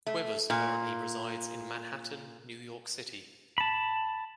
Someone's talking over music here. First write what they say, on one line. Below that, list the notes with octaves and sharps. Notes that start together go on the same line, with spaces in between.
Quivers currently resides in Manhattan, New York City.
A3
A#2
A5 B5